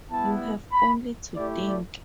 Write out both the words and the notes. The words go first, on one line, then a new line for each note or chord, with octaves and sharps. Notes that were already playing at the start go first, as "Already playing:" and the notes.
You have only to think!
G3 B3 E4 A5
B5
A3 E4 G4 D5
D5